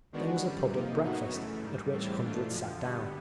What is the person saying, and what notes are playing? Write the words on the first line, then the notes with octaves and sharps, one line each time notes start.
There was a public breakfast, at which hundreds sat down.
D#3 G#3 B3 D4 F#4
F#2 D3 G3
C3 F3 A#3 D#4
A2 F#3 B3 D#4 F#4
F#2 C#3 E3 A3
G#2 D#3 G3
A2 E3 G3 C4
G#2 E3 A3 D4 F4
F2 D3 F3
G2 D3 G3 B3